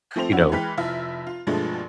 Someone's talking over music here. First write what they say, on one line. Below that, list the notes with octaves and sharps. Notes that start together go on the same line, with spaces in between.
you know,
F3 A3 C4 C5 F7
C#4 D4 E4 F#4
E3 G#3 B4 G5 F6 B6
F1 F3 E4 E5 F6
F4
G2 B2 F3 G#3 A3 D4